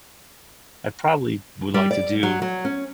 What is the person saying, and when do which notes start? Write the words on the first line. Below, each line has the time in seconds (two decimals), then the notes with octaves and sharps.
I probably would like to do
1.74 G3
1.91 D5
2.23 F#3
2.42 F#3
2.65 C#4